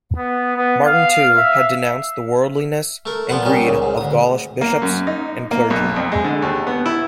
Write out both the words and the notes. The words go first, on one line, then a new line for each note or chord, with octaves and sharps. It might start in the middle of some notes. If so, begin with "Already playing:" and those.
Martin, too, had denounced the worldliness and greed of the Gaulish bishops and clergy.
B3
B3
F5
E5
A3 A#4
A#2 F3 F4 B4 F#5
A#2 G3 C#4 D#4
C#2 A#2
G#2
D2 D#6
A#3
F#2
D#4
A#3
B1
F2
G#3
D3
D#2
B3
E4